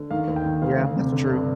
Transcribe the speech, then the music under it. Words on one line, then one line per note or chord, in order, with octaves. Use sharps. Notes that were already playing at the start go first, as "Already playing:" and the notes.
Yeah, that's true.
Already playing: D3
D#3 F5
D#2
G5
D#3
D2 F5
D2
C3
D3
G2